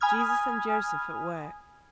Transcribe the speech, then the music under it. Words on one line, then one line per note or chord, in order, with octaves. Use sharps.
Jesus and Joseph at work!
G#5 B5 D#6 F6 G#6